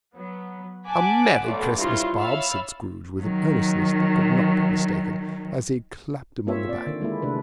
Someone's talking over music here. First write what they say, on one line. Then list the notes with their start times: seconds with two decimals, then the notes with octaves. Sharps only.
"A merry Christmas, Bob!" said Scrooge, with an earnestness that could not be mistaken, as he clapped him on the back.
0.15 F#3 B3
0.88 F#5 G#5 A5 D6 F#6 B6
1.45 B1 A3 D5
1.79 G2 E4 F4 C5 C#5 C6
2.18 C#5 E5 F5 B5 E6 A6
3.21 D#3 F#3
6.47 A#3 C4 F4 C#5 E5
6.68 C4 D5
6.86 D3 D#3
7.01 G#3 A#3 E4
7.22 C3 G#3 A3 D4 B4